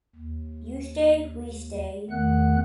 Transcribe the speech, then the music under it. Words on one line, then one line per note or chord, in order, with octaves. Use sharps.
You stay, we stay.
D#2
E2 D#3 A3 B3 F#5 F#6